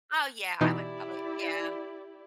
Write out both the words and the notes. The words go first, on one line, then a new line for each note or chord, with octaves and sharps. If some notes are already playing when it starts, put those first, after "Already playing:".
Oh yeah, I would probably yeah,
B2 E3 D#4 E4 G4 D5